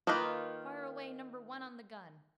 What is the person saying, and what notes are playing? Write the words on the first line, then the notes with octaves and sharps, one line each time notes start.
Fire away number one on the gun.
D#3 A#3 D#4 F4 B4